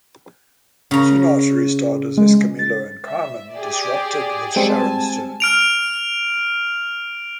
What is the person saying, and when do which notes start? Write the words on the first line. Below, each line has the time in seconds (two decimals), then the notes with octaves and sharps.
Soon after he starred as Escamillo in Carmen Disrupted with Sharon Stone.
0.91 C#3 A#5
2.17 G#3
2.59 A6
3.06 E5
3.54 G4 G#4 D5
4.56 G3 G#3 C4 G#5 A5
5.40 F6 D7 F7